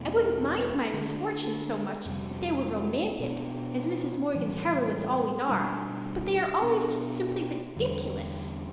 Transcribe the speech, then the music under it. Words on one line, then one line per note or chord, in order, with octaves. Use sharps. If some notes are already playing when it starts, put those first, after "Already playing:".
I wouldn't mind my misfortunes so much if they were romantic, as Mrs. Morgan's heroines' always are, but they are always just simply ridiculous.
Already playing: E2 B2 A3
D3 A3 D4
F2 C3 G3
B2 B3 D4
A2 E3 G3
B2 G3 D4
B2 B3 D4
E2 D3 G3